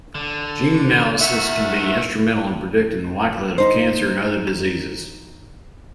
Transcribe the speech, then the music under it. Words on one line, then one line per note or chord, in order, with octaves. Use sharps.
Gene analysis can be instrumental in predicting the likelihood of cancer and other diseases.
D3
D#3 F#4 E5
D#4 C5